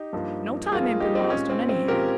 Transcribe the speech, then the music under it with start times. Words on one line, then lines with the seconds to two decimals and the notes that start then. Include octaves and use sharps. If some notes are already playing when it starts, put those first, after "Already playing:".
No time ain't been lost, on any hand.
Already playing: D#4 G4
0.13 G2 F3 A#3
0.72 G2 F3 A#3 F4 G#4
1.00 D#4 G4
1.15 C4 D#4
1.30 A#2 G#3 C#4
1.50 C4
1.69 C4
1.88 A#2 G#3 G4 A#4